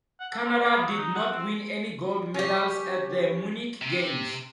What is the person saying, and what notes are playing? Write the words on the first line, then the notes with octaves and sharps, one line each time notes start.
Canada did not win any gold medals at the Munich games.
F#5
A4
C5
D5
B3
F#3
D#4
F#5
C4
C#4 G4
C3